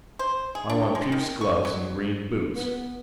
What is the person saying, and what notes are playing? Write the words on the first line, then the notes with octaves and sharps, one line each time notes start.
I want puce gloves and green boots.
C5
G#4
D4
G#3
D#3
C#6
F#3
B3